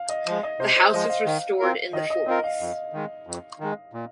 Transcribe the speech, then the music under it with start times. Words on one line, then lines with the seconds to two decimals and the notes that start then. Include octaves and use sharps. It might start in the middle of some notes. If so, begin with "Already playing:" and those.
The house was restored in the forties.
Already playing: F5
0.09 D#5
0.27 F3 G#3
0.43 D#5
0.60 C3 C5
0.76 C5
0.93 F3 G#3 D#5
1.10 F5
1.26 D#3
1.60 C4 F4 A#4
1.93 D#3 D#5
2.10 D#5
2.26 C4 F4 A#4 D#5
2.44 F5
2.60 F2
2.93 D#3 G#3
3.27 F2
3.60 D#3 G#3
3.93 A#2